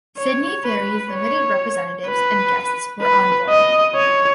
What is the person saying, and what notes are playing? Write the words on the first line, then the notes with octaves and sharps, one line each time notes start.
Sydney Ferries Limited representatives and guests were on board.
C#5
B4
C#5
B4
B4
D#5
C#5